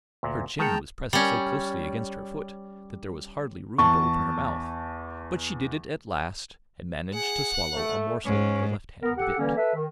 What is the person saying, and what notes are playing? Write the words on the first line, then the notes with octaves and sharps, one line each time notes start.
Her chin was pressed so closely against her foot, that there was hardly room to open her mouth; but she did it at last, and managed to swallow a morsel of the lefthand bit.
D2 A#2
D#3 G#3 G#4 F#5 G5 A5 A#5
G3 C#4
E2 A5 C#6
G#4 F#5
A3
G#2 C#4
B3 A#4
G4 A4 F#5
D3 E3 G3 A#3 C#4
A4 B4 E5
D#3